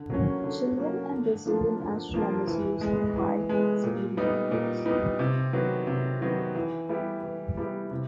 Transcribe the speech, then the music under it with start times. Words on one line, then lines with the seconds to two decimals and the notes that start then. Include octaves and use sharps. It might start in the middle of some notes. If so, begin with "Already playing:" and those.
Chilean and Brazilian astronomers use their high-speed networks.
Already playing: D3
0.10 F#3 A#3 C#4
0.44 D3
0.78 F#3 A#3 C#4
1.11 D3
1.46 F3 A#3 D4 F4
1.80 D3
2.14 F3 A#3 D4 F4
2.47 E3
2.81 G#3 B3
3.16 E3
3.49 G#3 B3
3.84 A#2
4.17 G3 B3 D#4
4.51 A#2
4.86 G3 B3 D#4
5.19 C3
5.53 D#3 F#3 B3
5.87 C3
6.21 D#3 F#3 B3
6.55 E3
6.89 G3 B3 E4 G4
7.23 E3
7.57 G3 B3 E4 G4
7.91 C3